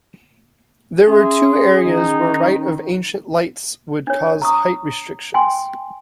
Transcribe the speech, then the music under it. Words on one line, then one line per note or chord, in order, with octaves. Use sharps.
There were two areas where right of ancient lights would cause height restrictions.
C#4 G#4 E5 C6
D#3 D#4
D4 C#5
A#5 C#6 D#6
G5 G#5 C6